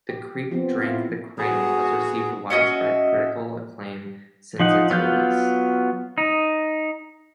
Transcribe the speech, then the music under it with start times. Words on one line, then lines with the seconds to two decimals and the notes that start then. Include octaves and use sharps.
"The Creek Drank the Cradle" has received widespread critical acclaim since its release.
0.09 G4
0.51 F3 B3 C4
0.82 E4 F4
1.38 B3 F#4 G#4
2.50 C#4 F#4 D#5 E5
4.60 F3 D#4 F#5
4.90 F#3 B3 F4 G6
6.18 D#4